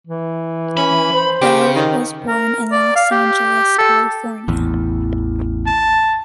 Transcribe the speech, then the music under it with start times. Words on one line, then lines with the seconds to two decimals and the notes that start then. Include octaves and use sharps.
Belle was born in Los Angeles, California.
0.07 E3
0.77 C#4 B5
1.12 C5
1.42 C#3 G4
1.75 D#3
2.28 A#4
2.72 D5
2.96 F5
3.11 G4
3.78 A4
4.48 A1 E2
5.66 A5